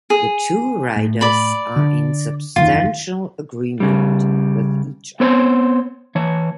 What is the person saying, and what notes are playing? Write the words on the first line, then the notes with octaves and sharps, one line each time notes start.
The two writers are in substantial agreement with each other.
G#4
A2
D5 B5
D3
F#1 E2 D#3 F4
C#3 G3
B3 C4 C5 C#5
E3 C#5